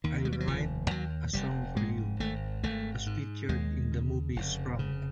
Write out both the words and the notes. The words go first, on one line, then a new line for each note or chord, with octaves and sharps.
"I'll Write a Song for You" was featured in the movie "Sprung".
D#2 D#3
G#3
G3
F#3
F1 F3
D#2 F#3
F1 G3
G#2 G#3
G#1 A3
G#1 A3
G#2
D#2 G#3
C#3
F1
C#3